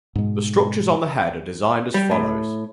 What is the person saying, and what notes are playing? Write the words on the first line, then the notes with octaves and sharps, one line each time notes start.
The structures on the head are designed as follows.
G#2 B2 G#3
G3
A2